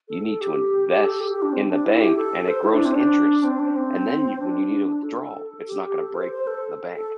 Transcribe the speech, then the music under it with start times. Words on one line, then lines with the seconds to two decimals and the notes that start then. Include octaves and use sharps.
You need to invest in the bank, and it grows interest, and then you when you need to withdrawal, it's not gonna break the bank."
0.09 A4
0.25 A4
0.41 G4
0.89 G4
1.04 A4
1.21 G4
1.32 G4
1.42 D4
1.53 C4
1.68 D4
1.85 E4
2.01 G4
2.17 A4
2.48 C5
2.64 E4
2.74 D4
2.85 C4
2.95 D4
3.44 C4
3.60 D4
3.76 C4
4.40 D4
5.03 A4
5.68 G4
5.83 G4
5.99 A4
6.15 C5
6.31 C5
6.47 A4
6.95 A4